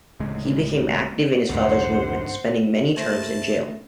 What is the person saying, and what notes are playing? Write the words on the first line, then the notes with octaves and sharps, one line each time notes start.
He became active in his father's movement, spending many terms in jail.
D1 C#3 G#3
C2 F2 G#2 D3 C5 F#5
A3 A#3 E4 C5 A5 A#6